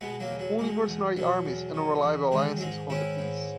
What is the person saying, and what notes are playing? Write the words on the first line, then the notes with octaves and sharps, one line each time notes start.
Only mercenary armies and unreliable alliances hold the peace.
B2 G#3 B3
F#3 A#3
E2
F#3
B2 G#3
E2
B2 F#3
E2
B2
E2
D#3 G#3
F#3
G#2 G#3
D#3 C#4 E4
G#2